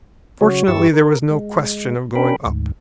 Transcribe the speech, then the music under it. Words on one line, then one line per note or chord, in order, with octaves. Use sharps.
But fortunately there was no question of going up.
C#3 F#3 F#4 C#5
G2 E4 G4 C#6 E6 A6
A#4
G#3
C#4 D4 A#4 G5 B5
D2 G#2